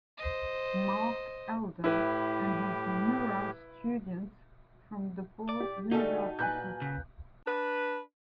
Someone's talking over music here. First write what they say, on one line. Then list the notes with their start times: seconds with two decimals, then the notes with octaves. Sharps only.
Mark Elder and his mural students from DePaul University.
0.18 C5 D#5
1.84 A2 E4 G4 B4
5.49 D5
5.60 G4
5.91 D3 G3 A3 D#4 F#4 G#4 A4 A5
6.39 A#2 B4 G#5 F#6 G6
6.82 C#3
7.46 D4 B4